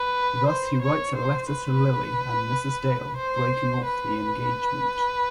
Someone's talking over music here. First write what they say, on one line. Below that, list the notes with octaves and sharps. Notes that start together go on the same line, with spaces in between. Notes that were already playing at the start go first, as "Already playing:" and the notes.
Thus he writes a letter to Lily and Mrs. Dale breaking off the engagement.
Already playing: B4
C5
C#5
C5
B4
C5
B4